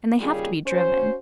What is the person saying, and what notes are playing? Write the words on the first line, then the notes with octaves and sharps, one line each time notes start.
And they have to be driven.
D#2 C#3 G3 F4 G#4
C#4 F#4 C5